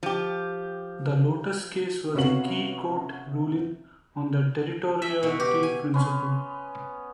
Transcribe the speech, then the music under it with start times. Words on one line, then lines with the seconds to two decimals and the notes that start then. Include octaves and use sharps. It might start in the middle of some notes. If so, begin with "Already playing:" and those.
The "Lotus" case was a key court ruling on the territoriality principle.
0.03 F3 G4
2.14 C3 B3 C#4 F#4 F5 F#7
5.02 E5
5.23 B2
5.40 G4
5.63 G#5
5.94 B3 C#4 C6